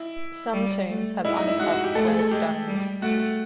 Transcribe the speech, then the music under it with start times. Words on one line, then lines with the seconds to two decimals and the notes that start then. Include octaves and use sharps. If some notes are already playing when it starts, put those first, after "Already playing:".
Some tombs have uncut square stones.
Already playing: E4
0.53 G3
0.89 A3
1.24 G#3 E4
1.37 D#4
1.48 E4
1.60 G#3 F#4
1.72 F#4
1.84 G4
1.95 A3 A4
2.07 G#4
2.19 A4
2.31 G#3 G4
2.67 G3
3.02 A3 F#4